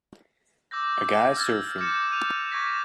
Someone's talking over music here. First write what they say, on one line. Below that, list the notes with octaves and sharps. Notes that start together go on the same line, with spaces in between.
A guy surfing.
D6 E6 G6 A#6
E6 F6 G#6 A6
D6 G6 G#6 A#6 C#7 E7
G6 D#7 F7
C#6 D6 G#6 A#6 B6 E7